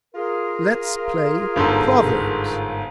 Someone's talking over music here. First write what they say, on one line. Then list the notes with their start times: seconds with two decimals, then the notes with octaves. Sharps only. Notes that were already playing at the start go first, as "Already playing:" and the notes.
"Let's play proverbs."
0.15 F4 G#4 A#4
1.56 G1 G#2 A4